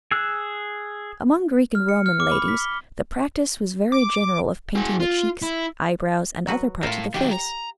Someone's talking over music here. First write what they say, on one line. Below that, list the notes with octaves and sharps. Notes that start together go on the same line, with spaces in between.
Among Greek and Roman ladies the practice was very general of painting the cheeks, eyebrows, and other parts of the face.
G#4 E6 F#6
F6
C#7
F6
D6
B5
B6
G7
D6
F#4 G#4
F4
E4
F#3 F#4 B4
A2 F4 A#4
D#3 F#3 G4
A#5